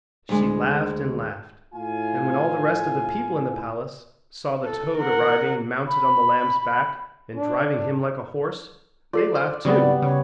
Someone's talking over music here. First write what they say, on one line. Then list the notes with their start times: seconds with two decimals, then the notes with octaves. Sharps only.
She laughed and laughed, and when all the rest of the people in the palace saw the toad arriving mounted on the lamb's back and driving him like a horse they laughed too.
0.29 D2 G#3
1.74 A2 F4 G#5
4.64 A4
4.98 A#4 F#5
5.88 B5
7.36 D4
9.13 F4 A4 D5 C7
9.35 C5
9.65 C#3 F#3 G3 B3 C4 D5
10.02 C#3 C#5